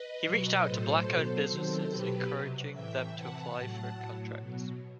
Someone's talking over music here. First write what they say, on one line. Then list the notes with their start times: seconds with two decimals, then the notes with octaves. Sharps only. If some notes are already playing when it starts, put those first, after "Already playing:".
He reached out to black-owned businesses, encouraging them to apply for contracts.
Already playing: B4 D#5
0.23 B2 F#3
0.64 A2 F#3 A4 C5
1.07 B2 F#3
1.48 C3 D#3 F#3 A4 C5
1.89 B2 F#3 G4 B4
2.30 C3 F#3
2.72 A2 E3 E5 G5
3.13 C3 E3 F#5 A5
3.55 A2 F#3
3.97 A2 F#3
4.38 B2 F#3